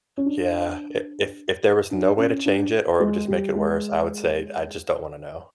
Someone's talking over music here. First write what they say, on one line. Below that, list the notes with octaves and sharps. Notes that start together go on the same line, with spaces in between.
Yeah, i if if there was no way to change it, or it would just make it worse, I would say, "I just don't wanna know."
C#4
D4
D4
C#4
D4
G#3
G3
G#3